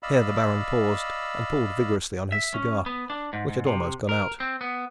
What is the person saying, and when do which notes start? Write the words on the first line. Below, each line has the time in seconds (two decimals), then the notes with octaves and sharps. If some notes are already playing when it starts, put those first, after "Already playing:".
Here the Baron paused and pulled vigourously on his cigar, which had almost gone out.
0.03 D5 D#5 F5 B5 E6
2.32 E5
2.54 C#4
2.86 B3
3.10 D4
3.33 G#2
3.49 G#2
3.67 C3
4.09 A#4
4.40 C4
4.61 B3